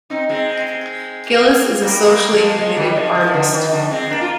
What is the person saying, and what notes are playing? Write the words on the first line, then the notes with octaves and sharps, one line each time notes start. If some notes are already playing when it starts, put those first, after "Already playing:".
Gillis is a socially committed artist.
C4 D#4
G#3 C4
G3 A#3
G3 A#3
F3 G#3
F3 G#3
D#3 G3
F3 G#3
F3 G#3
D3 F3
D#3
D3 F3
G#3 C4
A#3 D4
F4